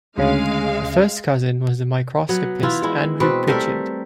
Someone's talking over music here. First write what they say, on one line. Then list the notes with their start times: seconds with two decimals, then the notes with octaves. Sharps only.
A first cousin was the microscopist Andrew Pritchard.
0.18 D2 C#3 G#3 F5
2.29 F#3 B3
2.63 E3 E4 F4
2.82 G#3 E4
3.20 B2 C4 B4
3.47 G3 A3 A#4 E5